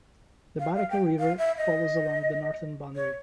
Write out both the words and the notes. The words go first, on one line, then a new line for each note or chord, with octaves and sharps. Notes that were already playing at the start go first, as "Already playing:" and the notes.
The Barakar River flows along the northern boundary.
F5
F5
G5
F5
E5
D#5
C#5